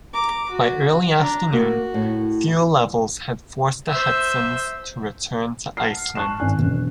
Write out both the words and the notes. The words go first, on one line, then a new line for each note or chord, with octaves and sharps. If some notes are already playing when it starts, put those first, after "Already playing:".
By early afternoon, fuel levels had forced the Hudsons to return to Iceland.
A#5 D6
F#4
D4 A#5
A#3 F#4
A2
C5 E5
F#5 A5 F6 C7
A5 C#6 F#6 C7 E7
G#1 D5 G#5
E1 F#2